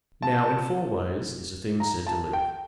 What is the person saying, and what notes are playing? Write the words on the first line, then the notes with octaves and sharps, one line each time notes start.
Now, in four ways is a thing said to live.
A5
A#5
A5
G5